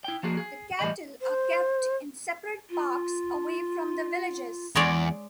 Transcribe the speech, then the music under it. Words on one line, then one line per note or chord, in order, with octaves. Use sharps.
The cattle are kept in separate parks away from the villages.
E4 G5
F3 A#3 F#4 G#4
G#4
A2 E3 F3 G3 D#5 B5
C5
F4
E2 G#3 C#5 D5